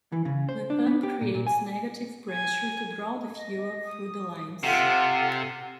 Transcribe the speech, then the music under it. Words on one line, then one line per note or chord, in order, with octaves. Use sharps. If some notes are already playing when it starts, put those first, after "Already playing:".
The pump creates negative pressure to draw the fuel through the lines.
E3
C#3
C5
D4
B3
G4
A#2
A#2
G#5
G#5
D#5
D#6
C3 F4 A4 F#5